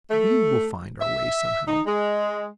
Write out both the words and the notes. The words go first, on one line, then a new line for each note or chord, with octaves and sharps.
We will find our way somehow.
A3
E5
D#4
G#3